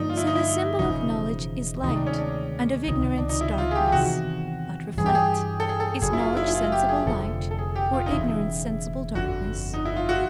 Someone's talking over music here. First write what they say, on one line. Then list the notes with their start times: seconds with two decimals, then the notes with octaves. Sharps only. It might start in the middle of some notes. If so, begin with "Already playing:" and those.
So the symbol of knowledge is light, and of ignorance, darkness; but reflect, is knowledge sensible light, or ignorance sensible darkness?
Already playing: G2 D3 F3 A#3 D4 D#4
0.09 F4
0.17 E4
0.27 D#4
0.35 E4
0.79 E1 D2 C#3 F3 D#4
1.84 D2 C3 D#3 G#3 D#4
1.96 D4
2.06 C#4
2.18 D4
2.88 C#2 C3 D#3 D#4
3.17 D4
3.29 D#4
3.41 E4
3.58 F4
3.71 G#4
3.75 G4
3.88 G4
3.92 E2 C3 D#3 F#4
4.97 G2 E3 G3 G#4
5.06 G4
5.15 G#4
5.60 A4
5.69 G#4
5.80 A4
6.01 F#1 F#2 C#3 G#4
6.13 E4
6.19 F4
6.37 E4
6.48 E4
6.55 F4
6.72 G4
6.89 G#4
7.06 F1 F2 D3 F3 A4
7.51 A4
7.58 G#4
7.76 G4
7.93 F4
8.06 D#4
8.11 E1 E2 C#3 E4
9.15 G1 F2 D3 F#4
9.74 D#4
9.85 E4
9.96 F4
10.09 F#4